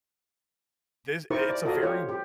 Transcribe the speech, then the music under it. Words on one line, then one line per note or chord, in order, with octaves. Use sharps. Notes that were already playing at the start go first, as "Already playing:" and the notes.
this it's a very
D#4 E4 G4 A#4 C5 C#6
D5
F4 F#4 A4 A#4 D5 D#5
F4 G4 C#5
G4